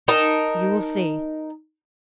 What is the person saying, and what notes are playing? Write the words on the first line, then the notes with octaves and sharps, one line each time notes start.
"You will see."
D#4 A#4 A5